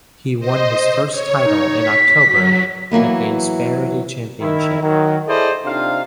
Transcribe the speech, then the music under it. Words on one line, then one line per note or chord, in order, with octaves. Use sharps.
He won his first title in October at the Insperity Championship.
C5 D#5
C#5
D#4
B6
F#3
E3 F#3 A#3 B3
D#3 E4
D#3 F#3
E4 G#4 A4 C5 D5 D#5
C3 D4 D#4 F4 F5